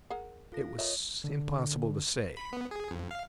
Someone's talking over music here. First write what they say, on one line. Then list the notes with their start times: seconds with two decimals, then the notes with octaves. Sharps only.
It was impossible to say.
0.10 G#4 A#4 F#5
0.52 F4 A4 A#6
0.79 A#4 C#5 D#5 E5
1.24 D3
2.37 B5
2.53 B3
2.71 G#4
2.91 F2
3.11 F5